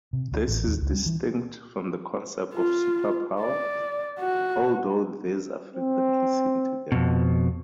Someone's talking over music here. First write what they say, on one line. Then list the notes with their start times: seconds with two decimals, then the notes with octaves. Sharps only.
This is distinct from the concept of superpower, although these are frequently seen together.
0.13 C3
0.32 D2
0.48 A1
0.67 D#2
0.82 C#2
0.93 G3
1.06 E3
2.54 F4
3.41 D5
4.19 F#4
5.76 C4
6.92 F2 B2